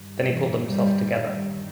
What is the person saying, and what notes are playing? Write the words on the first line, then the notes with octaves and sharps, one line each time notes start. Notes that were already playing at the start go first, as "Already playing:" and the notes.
Then he pulled himself together.
Already playing: G2 D#3
E3
G3